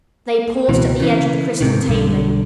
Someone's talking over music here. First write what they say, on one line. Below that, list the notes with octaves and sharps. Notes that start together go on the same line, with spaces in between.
They paused at the edge of the crystal tabling.
C#2 B2 E3
C#3 E3
G#2 C3 D#3
B1 G2 D3